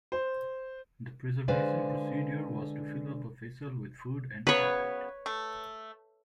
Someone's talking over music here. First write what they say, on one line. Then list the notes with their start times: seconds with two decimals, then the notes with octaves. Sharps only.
The preservation procedure was to fill up a vessel with food and cap it.
0.12 C5
1.48 D3 G#3 B4 C5 D5 F5
4.47 C#3 F#3 B3 B4 C#5
5.26 A3